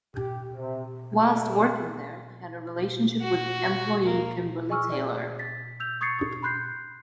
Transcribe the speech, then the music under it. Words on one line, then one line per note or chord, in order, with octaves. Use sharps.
Whilst working there, he had a relationship with employee Kimberley Taylor.
G4
C3
F#3 G#3 A3 D4
G3 C4
F#4
A#3
G#4 D#5 G#5 C#6 E6 F6
G#4 D5 D#5
A6 B6
E6 G6 F7
C#6 D#6 G#6 A6 C7 C#7
B5 C6 F#6 G6 C7